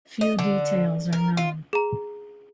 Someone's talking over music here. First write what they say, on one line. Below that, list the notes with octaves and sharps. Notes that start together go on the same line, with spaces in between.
Few details are known.
D#5
D3
A#4
F4
G#4 A#5